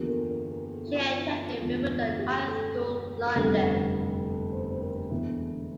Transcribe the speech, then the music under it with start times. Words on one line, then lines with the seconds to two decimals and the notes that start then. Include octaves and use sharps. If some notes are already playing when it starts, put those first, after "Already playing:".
She attended Wimbledon High School, London.
Already playing: E2 D3 F3 A#3 G4
0.08 A#4
0.31 A#4
0.51 A#4
0.74 A4
0.87 E4
0.95 F4
1.18 E4
1.40 F4
1.62 E1 E2 D3 A3 F4
1.90 F4
2.19 G4
2.48 A4
3.27 A#4
3.35 F1 E2 D3 G3 A4
4.53 C5
4.70 C5
4.82 A#4
5.11 E1 E2 D3 E4